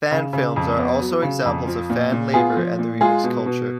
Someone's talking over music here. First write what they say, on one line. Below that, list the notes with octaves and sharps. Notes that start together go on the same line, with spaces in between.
Fan films are also examples of fan labor and the remix culture.
C#3
C#3
F2
B3
F#3
C#3
F2
F3
A#2
A#2
B3 F4 G#4
F3
A#2
G#3 F4 G#4
B2
B2